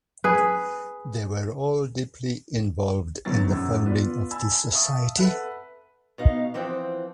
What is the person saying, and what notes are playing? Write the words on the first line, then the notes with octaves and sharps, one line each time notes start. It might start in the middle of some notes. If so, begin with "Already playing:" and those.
They were all deeply involved in the founding of the society.
G#4 B4
G#1 F#2 D3 F#3 B3 A6
A#1 F#2 F#5 E6
B3 F4 B4 D5
G#5 A5 B5 E6
E5 F5 A5 C#6 D#6
A4 B4 E5 F#5 A5
B2 D#4 F5
E3 F3 C4 F#5 G5